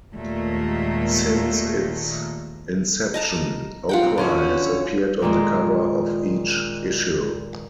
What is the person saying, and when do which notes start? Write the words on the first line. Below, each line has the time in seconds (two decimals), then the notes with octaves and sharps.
Since its inception, Oprah has appeared on the cover of each issue.
0.15 D#2 A#2 G#3 A3
3.14 D#5 A5 A#5
3.89 F4 F#5 G5
4.03 C4
4.18 D3 C#4 F#4
5.22 A#2 D#3 G#3